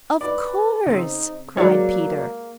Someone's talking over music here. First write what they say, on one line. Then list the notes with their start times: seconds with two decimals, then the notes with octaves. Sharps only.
"Of course," cried Peter.
0.21 B4 D5
0.87 C#3 C4 D#4
1.57 F#3 G#3 A#3 A#4 C#5 D5